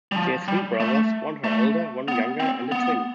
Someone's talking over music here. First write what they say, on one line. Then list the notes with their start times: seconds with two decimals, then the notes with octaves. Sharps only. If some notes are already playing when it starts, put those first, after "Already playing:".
She has three brothers, one her elder, one younger and a twin.
0.12 G3
0.16 F3
0.48 G3
0.80 A3
1.44 A3
2.08 B3
2.40 C4
2.72 B3